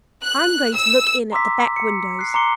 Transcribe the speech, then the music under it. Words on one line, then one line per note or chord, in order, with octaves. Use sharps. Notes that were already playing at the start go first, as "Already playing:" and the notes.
I'm going to look in at the back windows.
F#6
E6
A#5 C6 D6 E6 B6
C#7
F#6 C7
A#5 C6 D6 C7 C#7 G7